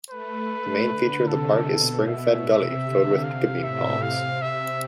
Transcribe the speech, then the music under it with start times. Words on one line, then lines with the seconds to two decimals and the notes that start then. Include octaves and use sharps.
The main feature of the park is spring-fed gully filled with piccabeen palms.
0.10 A3 B4
0.89 D3
1.28 C3 A4
1.68 B2
2.07 B2 E5
2.46 C3
2.85 D3
3.23 C3 F5
3.63 A2 E5
4.02 C3 F5
4.42 E5